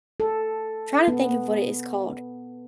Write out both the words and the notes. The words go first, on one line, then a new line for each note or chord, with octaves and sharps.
trying to think of what it is called.
A4
B3